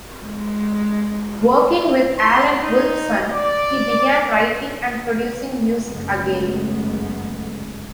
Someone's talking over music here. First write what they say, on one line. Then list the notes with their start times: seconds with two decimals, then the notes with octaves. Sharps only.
Working with Alan Wolfson, he began writing and producing music again.
0.23 G#3
2.18 C6
2.58 D#4
3.31 D5
5.85 F#1 F#2 G#3 A3 B3